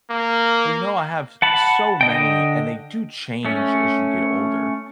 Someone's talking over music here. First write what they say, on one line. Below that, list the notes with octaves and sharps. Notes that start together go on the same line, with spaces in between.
Well, you know, I have s so many, and they do change as you get older.
A#3
F#5 A5 B5
D3 D#5 G5
A3 C#4